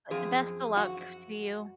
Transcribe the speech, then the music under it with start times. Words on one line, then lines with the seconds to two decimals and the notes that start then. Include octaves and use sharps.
But, the best of luck to you.
0.10 F#2 F3 C4 G#4
0.77 F#4